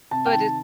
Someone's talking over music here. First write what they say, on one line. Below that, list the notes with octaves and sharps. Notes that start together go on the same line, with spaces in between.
But it
C3 A5
G5
D#3 A5